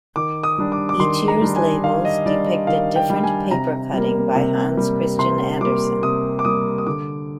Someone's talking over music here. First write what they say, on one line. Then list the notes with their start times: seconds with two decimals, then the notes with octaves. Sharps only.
Each year's labels depict a different paper cutting by Hans Christian Andersen.
0.16 D#3 D6
0.43 D#6
0.58 G3 D4
0.72 D6
0.89 D6
1.00 D#3 C6
1.28 A#5
1.42 G3 D4
1.56 G#5
1.84 D#3 F5
2.05 D#5
2.26 G3 D4 D5
2.46 D#5
2.67 D#3 F5
2.96 G5
3.10 G3 D4
3.24 G#5
3.51 C3 A#5
3.93 G3 A#3
4.35 C3
4.77 G3 A#3
5.19 C3 C6
5.61 G3 A#3 D6
6.02 C3 D#6
6.39 D6
6.45 G3 A#3 D#6
6.78 D#6
6.86 D3 D6